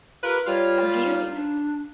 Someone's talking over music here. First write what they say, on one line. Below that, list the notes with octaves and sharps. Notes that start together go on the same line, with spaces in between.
Have you
F4 G4 A#4 B4
G3 F4 C#5
D#4
D4